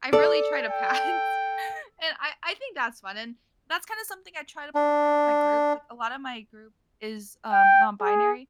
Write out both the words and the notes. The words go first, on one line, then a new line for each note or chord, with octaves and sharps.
I really try to pass. And I I think that's fun, and that's kind of something I try to pull through with my group, like, a lotta my group is, um, non binary.
A4 D5
G5
D4
G5
G#4